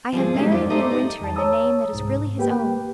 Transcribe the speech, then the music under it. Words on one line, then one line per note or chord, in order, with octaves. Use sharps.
I have married Midwinter in the name that is really his own.
F3 G3 C4 G#4
F#3 G#3 A3 C4 D#4 G4
F2 F4 D5
A3 D#4 G4 A4 C5 D5
G4 D5 D#5
E2 A5
C#5 A5 A#5 D#6 E6
C2 G#2
A#3 G4 B4 G5